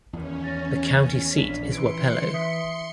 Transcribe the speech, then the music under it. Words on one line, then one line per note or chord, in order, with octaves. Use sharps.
The county seat is Wapello.
E2 D#3 C#4
A6 A#6
A#1 D4 B6
E3 C6 C#7 D7
E5 D#6 B6